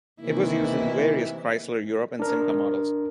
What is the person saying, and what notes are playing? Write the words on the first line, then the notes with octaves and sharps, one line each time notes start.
It was used in various Chrysler Europe and Simca models.
C3 D#3 E3 A#3 E4
D4 A#4